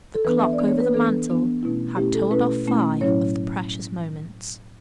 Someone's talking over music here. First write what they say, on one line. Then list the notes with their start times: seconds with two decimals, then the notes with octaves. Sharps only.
The clock over the mantel had told off five of the precious moments.
0.15 A4
0.25 E3 B3 D4 B4
0.40 E5
0.53 D5
0.59 E3 B3 D4
0.68 C#5
0.80 B4
0.94 E3 B3 D4 A4
1.28 E3 B3 D4
1.63 B2 A3 C#4 E4
1.97 B2 A3 C#4 E4 G4
2.14 A4
2.31 B2 A3 C#4 E4 B4
2.66 B2 A3 C#4 E4
3.01 A2 F#3 C#4 E4 C#5